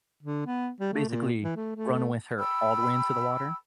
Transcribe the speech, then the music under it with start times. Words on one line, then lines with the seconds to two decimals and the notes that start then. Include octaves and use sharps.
basically run with her all the way into the water,
0.23 D3
0.46 B3
0.80 G3
0.93 A3
1.08 A#2
1.44 E3
1.56 A3
1.76 A3
2.39 G5 B5 E6